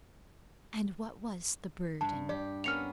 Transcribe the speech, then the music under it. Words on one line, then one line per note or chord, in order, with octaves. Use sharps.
And what was the "burden"?
G2 A5
G4 D5
A#3 B3 C#4 F6 C#7 F7